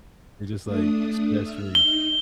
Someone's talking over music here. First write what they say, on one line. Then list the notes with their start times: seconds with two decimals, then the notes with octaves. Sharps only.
You're just, like, stress free.
0.64 A3 D4 D#6
1.37 E5 F6
1.75 D#4 G7